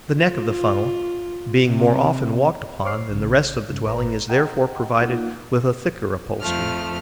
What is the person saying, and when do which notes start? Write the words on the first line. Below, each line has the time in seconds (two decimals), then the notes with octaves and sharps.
The neck of the funnel, being more often walked upon than the rest of the dwelling, is therefore provided with a thicker upholstery.
0.15 F4
1.66 C3
2.84 C5 C#5 C#6 D6 F6 C7
3.07 A#1 C#3
3.69 G#2 C#3
3.86 G#1 A2 B4 A#5
4.29 D#5 F#5 G5 A#5
5.01 A#3 D#4 F4 F#5
6.40 F2 F3 A3 F6